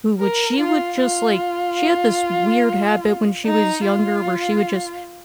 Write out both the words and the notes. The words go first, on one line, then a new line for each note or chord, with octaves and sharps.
who would she would just, like she had this weird habit when she was younger where she would just
A#4
F4
F4
D#4
F4